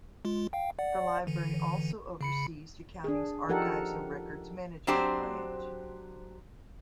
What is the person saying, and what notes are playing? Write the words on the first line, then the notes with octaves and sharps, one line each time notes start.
The library also oversees the county's Archives and Records Management Branch.
G#3 F4
F5 G5
D5 F#5
D3 E3
C#3 B5 C#7
D4 G#4
F3 D#4 G4 A4 A#4 F#5
F#3 C4 D4 G4 C5